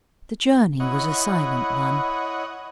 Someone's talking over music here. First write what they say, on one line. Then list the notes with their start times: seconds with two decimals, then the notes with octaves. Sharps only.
The journey was a silent one.
0.80 E4 C#5 D#5 F#5